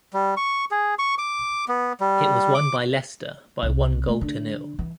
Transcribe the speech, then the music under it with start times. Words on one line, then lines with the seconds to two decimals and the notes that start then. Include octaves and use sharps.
It was won by Leicester by one goal to nil.
0.13 G3
0.37 C#6
0.71 G#4
0.99 C#6
1.18 D6
1.68 B3
2.00 G3
2.54 D6
3.63 C2
4.08 A3
4.21 D3
4.79 E3